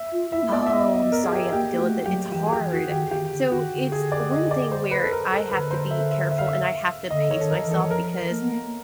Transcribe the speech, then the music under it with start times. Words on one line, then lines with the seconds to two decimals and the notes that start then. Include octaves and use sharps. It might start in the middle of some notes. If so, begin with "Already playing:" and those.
Oh, I'm sorry you have to deal with it. It's hard. So, it's one thing where I have to be careful, and I have to pace myself because
Already playing: E5
0.13 F4
0.32 E4 E5
0.43 A#3
0.52 B3 D5
0.66 E5
0.73 D#5
0.93 D#5
1.12 A#4
1.24 G#4
1.33 G4
1.52 A#3 G4
1.78 A3 F#4
2.06 F#3 G4
2.32 E3 G4
2.46 G#4
2.53 G4
2.59 E3
2.72 F#4
2.86 D#3
2.92 G4
3.11 D#3 G4
3.32 D3
3.52 D#3 F#4
3.72 D3
3.92 G#4
4.12 D5
4.32 D#5
4.51 D5
4.71 C5
4.91 B4
5.04 A4
5.12 A#4
5.31 A4
5.51 D3 B4
5.71 C5
5.90 E5
6.11 E5
6.31 E5
6.38 F5
6.46 E5
7.10 D3 D#5
7.31 C#5
7.37 D#3 A4
7.51 A#4
7.64 E3
7.71 A4
7.85 E3
7.90 F3 A#4
8.30 A#3
8.41 B3
8.52 A#3